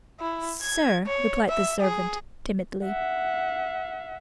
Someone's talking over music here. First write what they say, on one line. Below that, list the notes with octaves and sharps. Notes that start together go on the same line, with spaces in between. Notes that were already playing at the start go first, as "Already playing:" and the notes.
"Sir!" replied the servant, timidly.
E4
G#6
C#5
E5
G#4
E5 F#5